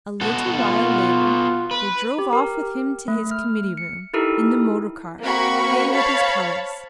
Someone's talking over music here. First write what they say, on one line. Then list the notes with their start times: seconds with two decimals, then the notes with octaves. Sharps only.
A little while later they drove off with him to his committee room in the motor car gay with his colours.
0.21 B3 F#4 A4
0.59 F4
1.71 B4
2.19 G4
2.33 A#4
2.63 G4
3.08 A3
3.31 F6
3.77 C#7
4.13 D#4 E4 G4 A4 A#4
5.21 A#3 C4 F#4 A#4 B5 C#6
5.92 C5 C#5 F5 A5 B5 C#6